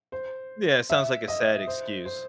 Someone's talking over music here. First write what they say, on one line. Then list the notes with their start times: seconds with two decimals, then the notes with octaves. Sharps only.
Yeah, it sounds like a sad excuse.
0.12 C5
0.90 E5
1.28 D#5
1.67 C5
2.05 C5